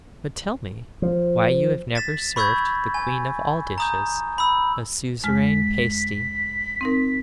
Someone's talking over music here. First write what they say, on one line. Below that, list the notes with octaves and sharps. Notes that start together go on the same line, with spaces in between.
But tell me why you have never served the queen of all dishes, a Suzeraine Pasty?'
F3
A6 B6 E7
B5 C#6 E6 G6 G#6
G#5
A#5 D#6 G6
B5 E6
F2 G#3 F6 B6
C4 D#4 A#4